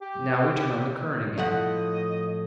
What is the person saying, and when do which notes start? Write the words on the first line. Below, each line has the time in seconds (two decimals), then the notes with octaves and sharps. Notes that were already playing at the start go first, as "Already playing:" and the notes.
Now we turn on the current again.
0.01 G4
1.38 A2 F3 D#5 F#5